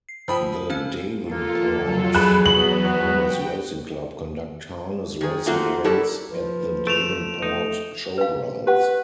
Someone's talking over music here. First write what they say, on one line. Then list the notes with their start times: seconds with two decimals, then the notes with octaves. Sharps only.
The Devonport Harness Racing Club conduct harness racing events at the Devonport Showgrounds.
0.09 C7
0.28 F3 G5 B5 D#6 E6
0.70 C4 C#4 F5
1.28 F2 A#3 F4 A4
1.81 F#3 F4
2.15 E2 F#3 G#4 B5 F#6
2.46 B3 F#4 F#7
2.81 B4
3.18 G5
5.21 D#3 G#4
5.46 A3 A#3 C4 F4 F#4
5.84 F#3 E4 G4 A4 A#4 D5
6.32 F3 B4
6.87 A3 D7 E7 F7
7.42 A3 D#4
8.18 B4 F5
8.67 G4 B4 F#5